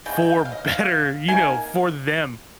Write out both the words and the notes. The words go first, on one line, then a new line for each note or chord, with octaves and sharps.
for better, you know, for them.
C#3 G#3 G5
G5
F5
D#5
F5
D#3 A#3 G#5